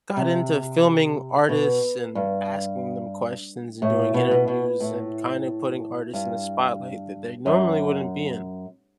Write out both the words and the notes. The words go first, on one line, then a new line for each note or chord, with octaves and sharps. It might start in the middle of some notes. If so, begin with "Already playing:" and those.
got into filming artists and asking them questions and doing interviews and kind of putting artists in the spotlight that they normally wouldn't be in,
C3
B2
G2
A2
B2
B2
B2
A2
G2
F#2